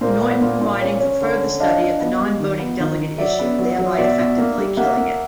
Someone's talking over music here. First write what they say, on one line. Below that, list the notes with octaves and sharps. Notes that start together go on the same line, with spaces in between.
Norton providing for further study of the non-voting delegate issue, thereby effectively killing it.
A#2 A#4 C5
B3
A#2
A#2
C#4
C#4
D3
C#4
D4 D#5 F5
D4
B3
G3
D#3
B3
D#3
D#3
F#3 D5 E5
B3
F#3
F#3
B2 D5 E5
B2
A#3
G3
A#3 E5 F#5
A#3